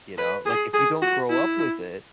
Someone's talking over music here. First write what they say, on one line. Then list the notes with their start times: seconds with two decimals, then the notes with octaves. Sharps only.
you know? Like, if you don’t grow up with it,
0.18 B4
0.46 G#4
0.74 G#4
1.02 F#4
1.29 E4